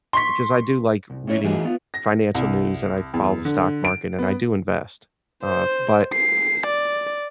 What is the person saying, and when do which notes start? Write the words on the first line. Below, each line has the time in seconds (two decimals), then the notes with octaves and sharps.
because I do, like, reading financial news and I follow the stock market and I do invest, uh, but
0.13 C6 C#6 B6
1.10 C2
1.27 A2 C#4 E4 C#5
1.44 E3 A3 A#3 D#4 F#4 G#4
1.64 B3 F4
1.94 A#6
2.35 C2
3.14 E2
3.45 D3
3.85 D7
4.19 B3
5.43 C5
6.13 C7
6.66 D5